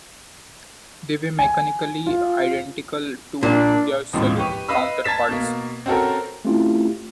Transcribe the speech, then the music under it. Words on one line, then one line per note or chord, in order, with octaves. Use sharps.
They were mechanically identical to their saloon counterparts.
G#5
F4
A#2 D4
A1 D#2 G#2 B2 F3
G4 B4 C#6
B4 D#5 F5 B5 E6
A5 G#6 A6 B6 E7
B2 A#3
C4 C#4 F#4 A4 A#4
A3 C4 C#4 E4 F4 G4